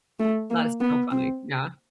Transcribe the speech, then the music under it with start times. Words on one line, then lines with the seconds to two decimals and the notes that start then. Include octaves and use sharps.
That is so funny, yeah.
0.19 A3
0.50 A#3
0.81 B3
1.10 C4